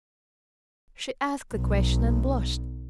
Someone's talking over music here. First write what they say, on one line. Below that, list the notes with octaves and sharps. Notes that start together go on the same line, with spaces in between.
She asked the question and blushed.
B1